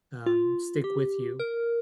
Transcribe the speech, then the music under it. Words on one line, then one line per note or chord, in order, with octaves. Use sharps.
um, stick with you,
F4
G4
A#4